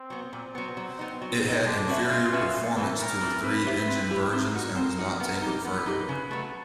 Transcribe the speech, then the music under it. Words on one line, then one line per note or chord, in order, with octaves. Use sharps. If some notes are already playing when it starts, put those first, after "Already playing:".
It had inferior performance to the three engined versions and was not taken further.
Already playing: C4
F#3 B3
A#2 C4
F#3 B3
F#3
B3 D#4
F#3
B3
D#4
G#3 D4
C#4 F#4 B4 E5
G#3 F4
C#4 F#4 B4 E5
A2
E3 A3 C4
A2 A#4
E3 A3 C4
C4 B4
E4 G4 C5 E5
C4
E4 G4 C5 E5
C4 A#4
D#4 F#4
C4
D#4 F#4
B3
D#4 G4
B3 B4
D#4 G4
C#3
F#3 A3